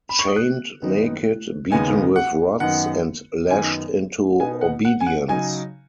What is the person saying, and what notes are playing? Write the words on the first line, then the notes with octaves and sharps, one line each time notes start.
Chained, naked, beaten with rods, and lashed into obedience.
B5
C#6
D#6
F#6
F#2 D#3 B3 D#4
D#2 C#3 G#3 B3 D#4 G#5
F#5
F#2 D#3 B3 D#4 F#5
F#2 D#3 B3 D#4 G#5
B2 B3 D#4 G#5
F#5
F#5
G#5
F#5
C#3 F#3 D#4 G#5